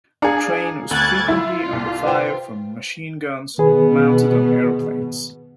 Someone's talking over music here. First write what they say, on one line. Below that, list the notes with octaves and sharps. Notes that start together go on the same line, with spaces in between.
The train was frequently under fire from machine guns mounted on aeroplanes.
D4 G#4 F5 A#5 C#7
D2 F#6 G#6 A6
E4 F4 B5 E6
C2
B4 C5 G5
B2 D#3 B3 G#4 B4